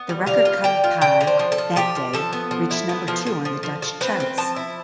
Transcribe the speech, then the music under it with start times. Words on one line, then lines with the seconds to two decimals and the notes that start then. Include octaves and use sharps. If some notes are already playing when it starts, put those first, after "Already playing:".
The record cut at Pye, "That Day", reached number two on the Dutch charts.
Already playing: B3
0.09 G3
0.26 D3 F5
0.45 F4
0.64 D3 G5
0.84 F4
1.01 D3 G5
1.21 D3
1.27 C5
1.39 F3
1.52 A4
1.58 F3
1.76 F3 G4
1.95 F3
2.13 F3 A4
2.33 B3
2.51 F3
2.71 E4
2.89 B3
3.08 F3
3.27 F3
3.45 F3
3.63 F3
3.82 F3
4.01 C4 B4
4.20 C4
4.38 F3 A5
4.56 E4